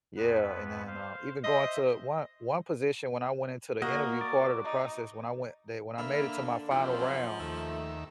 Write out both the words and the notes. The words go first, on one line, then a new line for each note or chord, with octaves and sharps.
yeah, and then, uh, even going to one one position when I went into the interview part of the process when I went, they when I made it to my final round.
F2 B3 B4
C5 F5
C5 D#5 E5 C6
A#3 F#4 A#4 D#5
D5
D#4
D3 A#3 E5 B5 F6
F#2 F3 C4 E4 F4
D#2 A3 E5